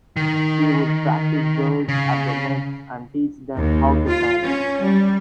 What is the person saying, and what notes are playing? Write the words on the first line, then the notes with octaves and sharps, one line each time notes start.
She would practice girls at the nets and teach them how to fence.
D#3
C#3
D#2
F4
C#4
G3